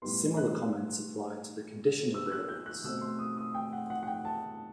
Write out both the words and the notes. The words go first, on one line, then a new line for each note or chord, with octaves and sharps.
Similar comments apply to the conditional variance.
A2 G3 B3 C6
F#6
E6
E6
F#6
G6
F#6
B2 A3 C4 E6
C6
D#6
D#6
G5
F#5
F#5
F#5
G5
A5